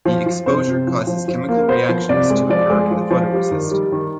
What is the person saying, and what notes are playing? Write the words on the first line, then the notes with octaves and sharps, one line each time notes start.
The exposure causes chemical reactions to occur in the photoresist.
F3
F3
C3 C5
C3
F3
F3
F3
A#3
B3 C5
F3
C3 D5
G#3
F3 D5
G#3
F3
F3
G3
D#3
G3
D#3